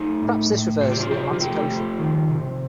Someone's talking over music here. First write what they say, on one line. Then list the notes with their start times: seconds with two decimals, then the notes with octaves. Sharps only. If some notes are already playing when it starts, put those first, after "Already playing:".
Perhaps this refers to the Atlantic Ocean.
Already playing: A3 D#4
0.22 A2
0.52 A2
0.81 C3 F4
0.91 G4
1.00 F4
1.10 F3 G4
1.33 F4
1.40 A3 G4
1.69 F3
1.99 D#3
2.29 C3